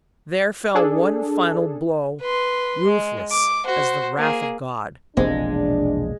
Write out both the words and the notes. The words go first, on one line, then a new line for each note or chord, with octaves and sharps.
There fell one final blow, ruthless as the wrath of God.
D4 G#4 A4
B4 C6
G#3
D6
F#4 C5
A#3 G#4
E1 A#1 C3 G#3 A#3 C4 D4 G4